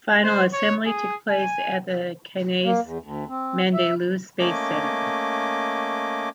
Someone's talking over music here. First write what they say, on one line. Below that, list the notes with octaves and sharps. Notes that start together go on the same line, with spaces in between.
Final assembly took place at the Cannes Mandelieu Space Center.
C5
C#5
G#4
G#5
A#3
E2
D2
C4
E5
A3 A#3 C#4 D#5 D6